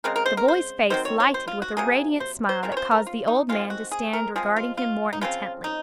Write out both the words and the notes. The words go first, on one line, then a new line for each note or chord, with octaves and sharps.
The boy's face lighted with a radiant smile that caused the old man to stand regarding him more intently.
C#3 G#3 C4 A#4
A#4
C5
A#4
C5
D#3 F#3 C4 C5
C#5
C#5
C5
F4
F#4
C3 F#3 A#3 G#4
C5
C5
C#3 F3 C4 A#4
C#5
C5
A#4
F4
D#4
D#3 G#3 C4 F4
F#4
G#4
A#4
F3 G#3 C4 G#4
F4
F4
D#4
C#3 F3 C4 F4
D#4